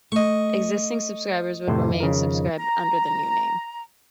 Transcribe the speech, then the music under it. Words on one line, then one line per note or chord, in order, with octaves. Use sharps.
Existing subscribers would remain subscribed under the new name.
A3 D#5 C#6
F2 A2 C3 D#3 F3 C5
C#3 A#4
A#5